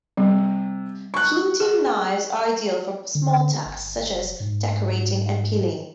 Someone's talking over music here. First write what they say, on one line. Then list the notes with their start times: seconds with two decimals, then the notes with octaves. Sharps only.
Fluting knives are ideal for small tasks such as decorating and peeling.
0.17 C3 G3
1.14 C#6 F#6
1.60 G#4
3.15 D3
3.66 G1
4.09 F1
4.40 G#2